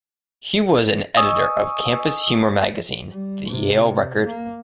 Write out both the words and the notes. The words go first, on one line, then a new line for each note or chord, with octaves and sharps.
He was an editor of campus humor magazine "The Yale Record".
D#5 G#5 C#6 D#6 E6
G3
C3
A#3